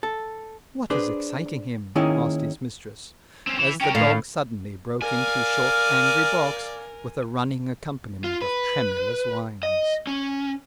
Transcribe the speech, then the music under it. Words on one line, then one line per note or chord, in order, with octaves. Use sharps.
"What is exciting him?" asked his mistress, as the dog suddenly broke into short angry barks, with a running accompaniment of tremulous whines.
A4
D4 G#4 B4 C5
D#3 A#3 C#4 E4 G#4
C4 C#4
E3 E4
C#4 A#4 G5
A2 F5
A#4 D5 F5 G#5 F6
F4
B4
D#5
C#4